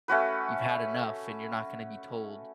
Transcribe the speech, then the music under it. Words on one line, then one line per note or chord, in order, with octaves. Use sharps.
you've had enough and you're not gonna be told
A3 C#4 F#4 B4